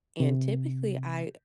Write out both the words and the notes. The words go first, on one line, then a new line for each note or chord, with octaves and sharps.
and typically I
C3